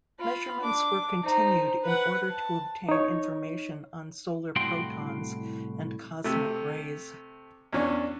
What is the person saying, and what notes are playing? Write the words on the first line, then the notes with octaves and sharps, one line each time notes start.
Measurements were continued in order to obtain information on solar protons and cosmic rays.
F4 B5
D4 D6
D#4 C5
B4 F#5
A5
D#4 C#5
C2 A2 F#4 F5 G5 C6
C3 A3
E2 C#4 D4